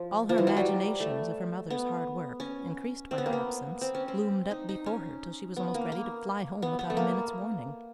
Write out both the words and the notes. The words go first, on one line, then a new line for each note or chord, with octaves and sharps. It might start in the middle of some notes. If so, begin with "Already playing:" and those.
All her imaginations of her mother's hard work, increased by her absence, loomed up before her, till she was almost ready to fly home without a minute's warning.
Already playing: F3
F3
E3
F#3
G3
A3
B3
C#4
C4
B3
A#3
B3
C4
C#4
C4
D#4
D#4
C#4
B3
A#3
A#3
B3
B3
A3
A#3